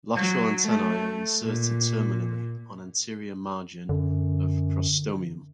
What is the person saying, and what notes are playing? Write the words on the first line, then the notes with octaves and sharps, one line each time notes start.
Lateral antennae are inserted terminally on anterior margin of prostomium.
F#3
A3
A#2
F#2 D3